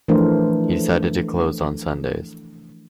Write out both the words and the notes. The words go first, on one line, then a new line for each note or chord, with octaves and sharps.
He decided to close on Sundays.
E3 F3 A3 D4 A#4 C5